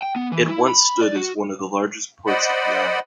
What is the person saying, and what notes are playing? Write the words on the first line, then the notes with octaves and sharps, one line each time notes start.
It once stood as one of the largest ports of the island.
G5
B3
E3
E4
B5
D5
F#4
C5 D5 D#5 F#5 B5